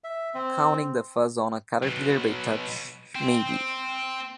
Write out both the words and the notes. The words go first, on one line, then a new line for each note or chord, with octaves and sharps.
Counting the fuzz on a caterpillar by touch, maybe.
E5
C4
B2 F#3
C4